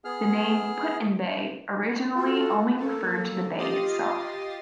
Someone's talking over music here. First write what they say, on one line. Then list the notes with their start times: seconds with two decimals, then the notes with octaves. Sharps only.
The name "Put-in-Bay" originally only referred to the bay itself.
0.05 B3 G#4 F6
2.15 F4 F#4 A4
2.77 A#3 A4
3.57 F4 G4 D#5 D#6 A6 C7